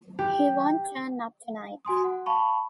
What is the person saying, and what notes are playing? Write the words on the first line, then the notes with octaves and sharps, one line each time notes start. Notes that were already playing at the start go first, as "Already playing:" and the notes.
He won't turn up to-night.
G4
F#4 G#5 C6 D#6
F#5
F5 A5 B5 C#6